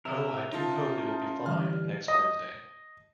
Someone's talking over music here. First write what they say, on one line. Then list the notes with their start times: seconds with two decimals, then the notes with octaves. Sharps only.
Oh, I do hope it will be fine next Wednesday.
0.05 C3 A#4 E5
0.53 C#4 D#4 F4 A5
1.46 D3 E3 G3 F6
2.08 D#5